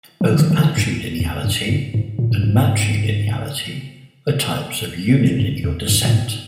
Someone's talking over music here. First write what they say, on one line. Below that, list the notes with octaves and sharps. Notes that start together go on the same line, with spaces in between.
Both patrilineality and matrilineality are types of unilineal descent.
F3
D3
D#3
D#3
D3
G2
F2
G2
G2
G#2
A#2
G2
G#2
G2
F2
G2
A#2
G#2